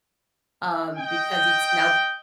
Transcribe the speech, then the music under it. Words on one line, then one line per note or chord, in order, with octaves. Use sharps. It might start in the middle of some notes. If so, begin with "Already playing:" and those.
um, because it's now
D#5 G5